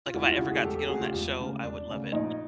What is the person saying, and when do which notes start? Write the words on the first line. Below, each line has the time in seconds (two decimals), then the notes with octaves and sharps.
like, if I ever got to get on that show, I would love it.
0.06 F4
0.13 E1 E4 F#4
0.26 F4 G4
0.38 C#3 E4 F#4
0.42 D2
0.50 F#4 G#4
0.63 E1 G4 A4
0.75 G4 A4
0.89 D2 C#3 F#4 G#4
1.01 F4 G4
1.13 E1
1.38 D2 C#3
1.63 E1 D4
1.88 D2 C#3
2.12 A#1 D#4